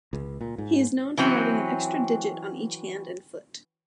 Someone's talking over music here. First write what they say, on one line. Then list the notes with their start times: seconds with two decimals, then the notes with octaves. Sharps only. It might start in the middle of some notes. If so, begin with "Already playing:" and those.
He is known for having an extra digit on each hand and foot.
0.13 C#2
0.41 A#2
0.58 G#2
1.17 E3 F#3 C4 C#4